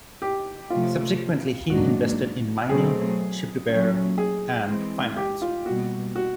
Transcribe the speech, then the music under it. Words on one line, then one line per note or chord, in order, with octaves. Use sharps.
Subsequently he invested in mining, ship repair, and finance.
G4
C3 F3 A3 C#4 F4
G#2 D#3 F#3 A#3 D4 F#4
B2 F#3 A3 C4 G#4
A#2 F#3 A3 C#4
G#4
E3 G#3 C4
G4
F4
B2 G3 A#3 F#4
F#4